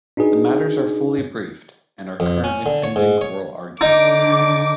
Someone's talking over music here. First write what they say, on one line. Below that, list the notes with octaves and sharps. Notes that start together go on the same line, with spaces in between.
The matters are fully briefed and are currently pending oral arguments.
D4 D#4 F#4 G#4 B4
F2
C#4
D3
C#5
G#2
C#5
D3 D#4 D6